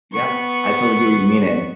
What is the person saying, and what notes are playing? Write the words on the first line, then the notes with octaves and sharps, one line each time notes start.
Yeah, I totally hear what you mean, and,
B3 C#6